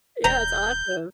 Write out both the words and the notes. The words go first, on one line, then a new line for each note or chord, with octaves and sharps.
Yeah, it's awesome.
E1 A#5 G6